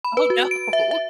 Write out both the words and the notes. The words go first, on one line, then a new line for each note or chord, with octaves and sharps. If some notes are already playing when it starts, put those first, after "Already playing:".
Oh, no.
B5
B4
F#4
D7
E5
E5